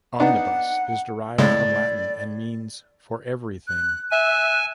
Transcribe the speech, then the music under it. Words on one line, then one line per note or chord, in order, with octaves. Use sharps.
"Omnibus" is derived from Latin and means "for everything".
B3 D4 D#4 F#5
A2 C#3 G#3 D5
F#6
E5 G#5 F#6